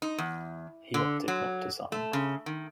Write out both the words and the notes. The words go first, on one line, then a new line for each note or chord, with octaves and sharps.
He opted not to sign.
D#4
E2
D3
F#3
A3
C#3
D#3